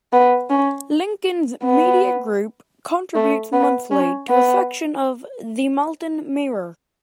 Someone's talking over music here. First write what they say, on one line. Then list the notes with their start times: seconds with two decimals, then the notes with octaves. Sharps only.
Lincoln's Media Group contributes monthly to a section of "The Malton Mirror".
0.13 B3
0.50 C#4
1.64 B3
3.15 A3
3.53 B3
3.91 C#4
4.29 B3